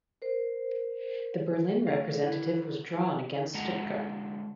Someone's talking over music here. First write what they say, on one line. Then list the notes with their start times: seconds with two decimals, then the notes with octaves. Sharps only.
The Berlin representative was drawn against Stuttgart.
0.22 A#4 C5
1.87 D3 A3 C#5 F5
2.23 E4 B4
3.54 D3 G#3 F#4 A4 F#5 A#5